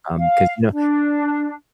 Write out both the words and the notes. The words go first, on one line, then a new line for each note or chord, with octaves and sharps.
um, 'cause, you know,
F5
D4